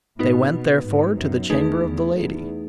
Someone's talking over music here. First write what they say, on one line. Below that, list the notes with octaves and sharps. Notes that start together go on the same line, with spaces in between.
They went therefore to the chamber of the lady.
A2 B3 D#4 F#4 B4
B2
G#2
F#2
E2 A3 D#4 G#4 B4
E2
E2